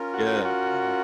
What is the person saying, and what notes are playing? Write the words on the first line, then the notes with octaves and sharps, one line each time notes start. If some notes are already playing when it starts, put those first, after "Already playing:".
Yeah, wow.
Already playing: C#4 F4 A#4
F#4
F#4